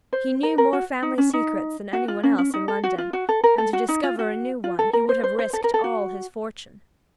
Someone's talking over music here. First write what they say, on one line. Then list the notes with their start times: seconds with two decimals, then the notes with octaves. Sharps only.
He knew more family secrets than any one else in London, and to discover a new one he would have risked all his fortune.
0.13 C5
0.43 A#4
0.58 A#4
0.73 F#4
1.02 D#4
1.18 C#4
1.33 D#4
1.93 F#4
2.08 F4
2.23 C#4
2.38 C#4
2.54 D#4
2.68 A4
2.83 F#4
2.98 F4
3.13 F#4
3.29 A4
3.44 A#4
3.58 A4
3.73 F#4
3.89 D#4
4.03 F4
4.19 F#4
4.64 F4
4.79 A4
4.93 A#4
5.09 C5
5.24 C5
5.39 C5
5.53 A4
5.64 A#4
5.74 A4
5.84 F#4